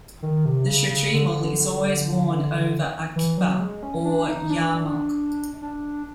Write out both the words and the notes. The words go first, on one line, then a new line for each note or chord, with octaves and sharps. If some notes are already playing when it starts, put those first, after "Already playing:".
The shtreimel is always worn over a "kippah", or yarmulke.
D#3
C3
C#3
C#3
D3
E3
F#3
G#3
C#4
D4
D#4
D4
D4